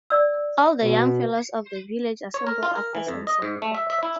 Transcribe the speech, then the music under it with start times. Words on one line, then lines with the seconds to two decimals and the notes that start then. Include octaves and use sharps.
All the young fellows of the village assemble after sunset.
0.10 D5 E6
0.82 B2
2.34 C#5
2.47 A#4
2.63 F4
2.76 A#4
2.95 E3
3.08 F2
3.27 D#5
3.42 G#2
3.62 A3
3.75 E5
3.90 E5
4.03 E4